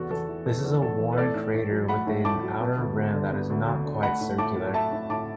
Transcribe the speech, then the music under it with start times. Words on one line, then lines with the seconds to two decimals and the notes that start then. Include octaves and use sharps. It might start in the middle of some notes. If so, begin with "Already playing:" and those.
This is a worn crater with an outer rim that is not quite circular.
Already playing: E2 B3 F#4 A4
0.11 E2 A4
0.28 E3
0.46 B3 A4
0.64 E2
0.82 E2 A4
1.00 E3
1.12 B4
1.18 A3 A4 D5
1.35 A2
1.54 A2
1.71 F#3
1.88 A3 F#5 B5
2.07 A2
2.24 A2 A5 D6
2.43 F#3
2.61 B3
2.78 D2
2.96 D2
3.14 D3
3.32 B3
3.50 D2
3.67 D2
3.85 D3
4.03 A3 F#5 B5
4.21 A2
4.38 A2 A5 D6
4.56 F#3
4.74 A3 E5 A5
4.92 A2
5.10 A2 A5 D6